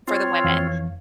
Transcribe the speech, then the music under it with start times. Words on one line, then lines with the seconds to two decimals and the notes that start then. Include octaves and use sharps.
for the women.
0.08 C4 F4 C#5
0.44 F2 E3 F5